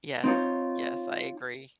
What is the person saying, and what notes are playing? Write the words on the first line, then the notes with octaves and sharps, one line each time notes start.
Yes, yes, I agree,
C4 D#4 F4 C#5